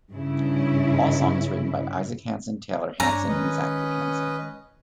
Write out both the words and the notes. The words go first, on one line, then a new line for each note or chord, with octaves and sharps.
All songs written by Isaac Hanson, Taylor Hanson and Zachary Hanson.
G2 C#3 E4
G2 D4 C#5 A#5
D#3 G#3 C#4 B4 D#5